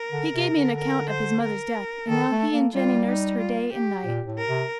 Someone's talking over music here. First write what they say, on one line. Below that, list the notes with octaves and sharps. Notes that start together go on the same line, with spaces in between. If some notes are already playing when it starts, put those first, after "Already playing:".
He gave me an account of his mother's death, and how he and Jenny nursed her day and night.
Already playing: A#4
D3
C3
D3
A#4
C5
A#4
D#3 A4
A3
A#3
G3 F4
D#4
F4
G4
A#2
A2
A#4
C3